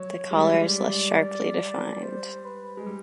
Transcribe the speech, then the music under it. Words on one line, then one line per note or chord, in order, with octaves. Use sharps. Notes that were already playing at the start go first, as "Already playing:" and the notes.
The collar is less sharply defined.
Already playing: F#3 C#5
G#3
G3 D5
C5
B4
G#3
G3